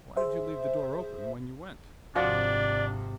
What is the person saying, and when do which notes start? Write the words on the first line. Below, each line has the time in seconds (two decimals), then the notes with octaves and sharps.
'Why did you leave the door open when you went?'
0.16 G#4 C5 E5
2.15 G#1 F2 C3 D4 F4 F#4 D5